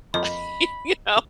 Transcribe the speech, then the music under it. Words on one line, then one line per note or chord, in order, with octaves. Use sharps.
Like, you know,
F2 F3 A#3 D#5 B5